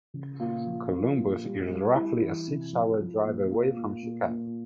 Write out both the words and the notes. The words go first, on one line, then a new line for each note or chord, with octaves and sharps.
Columbus is roughly a six-hour drive away from Chicago.
C#3
A#2 F4
F3
F3
A#2
G3
G3
G3 E4
E3
C3
F3
F3
A#2
A#2 F4
A#2
A#2
A#2